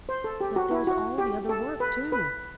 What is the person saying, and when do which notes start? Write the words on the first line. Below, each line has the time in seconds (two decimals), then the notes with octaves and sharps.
"But there's all the other work, too."
0.09 C5
0.24 A4
0.41 G4
0.56 F#4
0.71 E4
0.87 F#4
1.18 G4
1.49 A4
1.80 B4
2.12 B4